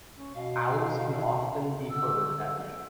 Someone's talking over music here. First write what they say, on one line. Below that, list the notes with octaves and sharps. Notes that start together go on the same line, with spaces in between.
Owls can often be heard at night.
C#4
B2 F5
D3 E6